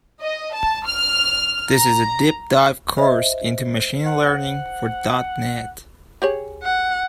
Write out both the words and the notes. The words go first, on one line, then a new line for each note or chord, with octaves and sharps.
This is a deep dive course into Machine Learning for Dot Net.
D#5
A5
F6
A#5
C5 D#5 E5
F#5
G4 G#4 C#5
F#5